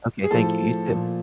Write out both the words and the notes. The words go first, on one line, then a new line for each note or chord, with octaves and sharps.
Okay, thank you, you too.
G#4
A2 F3 A4
A#2 F3